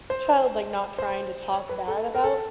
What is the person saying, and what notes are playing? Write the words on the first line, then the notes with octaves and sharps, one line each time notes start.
child, like, not trying to talk bad about
C5
C5
C#5
B4
A4
A#4
A4